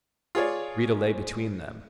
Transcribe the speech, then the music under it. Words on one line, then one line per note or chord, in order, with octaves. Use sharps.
Rita lay between them.
F4 G#4 C#5 D5